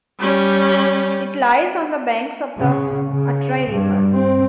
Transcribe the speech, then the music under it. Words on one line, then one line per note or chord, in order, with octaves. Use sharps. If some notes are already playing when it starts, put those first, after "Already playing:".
It lies on the banks of the Atrai River.
G3 C#4
C#3
C#3
G2
C4